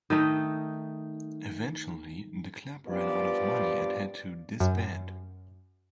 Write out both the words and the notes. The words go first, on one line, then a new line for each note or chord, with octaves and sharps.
Eventually the club ran out of money and had to disband.
D#3 A3 D#4
G2 F3 B3 G4 D5
F#2